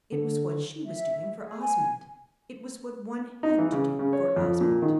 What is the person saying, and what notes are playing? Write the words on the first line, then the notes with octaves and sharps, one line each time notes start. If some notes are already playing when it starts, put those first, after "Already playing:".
It was what she was doing for Osmond; it was what one had to do for Osmond!
D3
E5
G#4
G#5
D#4
E3
C#3
C#3
C#5
F2
A#2
D#3